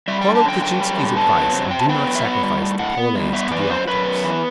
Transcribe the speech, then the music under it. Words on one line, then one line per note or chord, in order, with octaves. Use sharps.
Follow Kleczynski's advice and do not sacrifice the Polonaise to the octaves.
G3 E5
D3 G5
A5
F#2 G5
F#2 G5
G3
D3
B3 A5
F#3
C3
C3 G5
A5
B3 G5
F#3
E5
B3 F#5
G3
A2
A2 F#5
B3
G3
B3 E5
E3 D5
B4
F#2 C5
F#2 B4
B3
E3